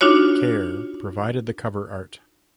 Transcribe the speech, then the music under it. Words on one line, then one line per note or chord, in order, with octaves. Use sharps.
Kerr provided the cover art.
D4 D#4 F4 F#4 C#5